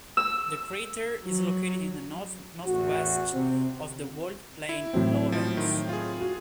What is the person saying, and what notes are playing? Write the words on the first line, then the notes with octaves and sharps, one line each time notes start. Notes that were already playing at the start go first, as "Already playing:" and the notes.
This crater is located to the north-northwest of the walled plain Lorentz.
E6
F#3
A1 E2 F#4
C3 C4
E4
A2 F#3 C4
F3
D#3
F4 G#4
F#4